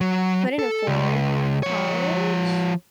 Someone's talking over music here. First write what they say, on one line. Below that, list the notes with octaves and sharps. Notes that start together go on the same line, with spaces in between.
couldn't afford college,
F#3
A4
C#2
F3 C#5